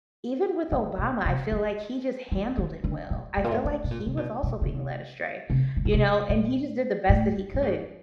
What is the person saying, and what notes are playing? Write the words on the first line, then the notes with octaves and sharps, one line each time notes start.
even with Obama, I feel like he just handled it well. I feel like he was also being led astray, you know, and he just did the best that he could.
A2
B2
C3
F#3
E3
D#3
D3
A#2
A2
A#2
A2
A2
B2
A#2
C3
B2
B2
C#3
C3
C3
C3
B2
C3
A#2
A2
A2
G#2